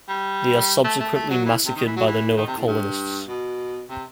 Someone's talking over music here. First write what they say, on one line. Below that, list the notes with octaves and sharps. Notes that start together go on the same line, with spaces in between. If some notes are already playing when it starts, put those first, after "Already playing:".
They are subsequently massacred by the Noah colonists.
G3
A3
A3
A3
F#3
E3
C3
D#3
E3
F#3
E3
D#3
C3
A2
G2
B2
C3